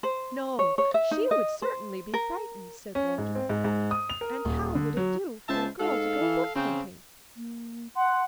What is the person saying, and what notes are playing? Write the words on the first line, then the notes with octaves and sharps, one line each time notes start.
'No, she would certainly be frightened,' said Walter, 'and how would it do for a girl to go wolf-hunting?
C5
C#5
C#5
E5
D#4
D#5
C5
A#4
C#4
G#2
C4
G#2
G#2
D#6
F7
A#4
D#1
D3
F#3
C#2 C5 E5 A5
G#2 A4 F5
E3
C#3 C4
A#3
F#5 C6